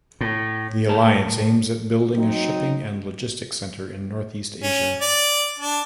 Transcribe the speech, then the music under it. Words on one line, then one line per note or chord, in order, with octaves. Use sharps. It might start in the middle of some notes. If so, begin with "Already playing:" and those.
The alliance aims at building a shipping and logistics center in Northeast Asia.
A2
A2 A#4 A5
F#3 C4 D#4
C#4
D5
D4